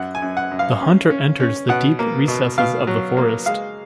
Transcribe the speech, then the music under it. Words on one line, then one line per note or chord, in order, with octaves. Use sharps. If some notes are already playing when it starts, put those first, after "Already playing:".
The hunter enters the deep recesses of the forest.
Already playing: F#2 F#5
G#5
F#2
F#5
F#2
F5
C#4
C#4
C#4
B2 F#5
A#3
B2
B2 F5
F#3
A#3
G#3 F5